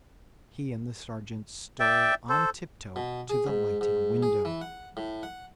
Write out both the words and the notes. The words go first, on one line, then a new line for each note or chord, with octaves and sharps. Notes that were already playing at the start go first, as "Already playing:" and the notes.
He and the sergeant stole on tiptoe to the lighted window.
D5 E5 G5
A4 C5
B2
G#4
G#2
G#2
G#4
E3
F#5
A2
F#5